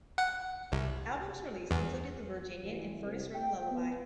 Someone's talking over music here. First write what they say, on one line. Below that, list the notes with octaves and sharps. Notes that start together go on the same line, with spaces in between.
Albums released included "The Virginian" and "Furnace Room Lullaby".
F#5
C2
E2
A1
C2
G5
B3